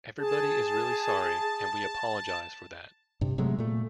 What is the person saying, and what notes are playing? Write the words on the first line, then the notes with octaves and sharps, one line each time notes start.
Everybody is really sorry and we apologise for that.
G#4 A5
G2 C3
C3 F#3 G#3 A3
A#2 A3